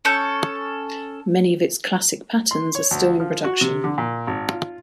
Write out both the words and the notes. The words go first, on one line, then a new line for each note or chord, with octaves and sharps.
Many of its classic patterns are still in production.
C#4 A4 C#6 G6
C6
C#5
D2
F3
F#4
C3
D3
A#2
G#1
F4